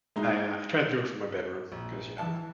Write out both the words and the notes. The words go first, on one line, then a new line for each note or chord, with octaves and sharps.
I, uh I tried to do it from my bedroom 'cause, you know,
G#3 D#4 E4
A#1
E3 A5